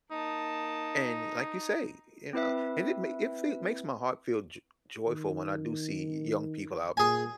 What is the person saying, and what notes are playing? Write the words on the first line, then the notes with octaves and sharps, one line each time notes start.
and, like you say, you know, and it ma it feel makes my heart feel jo joyful when I do see young people out
A#3 D#4 A5
C4 E4 B4 E5
D#3
A#2 G#4 G#5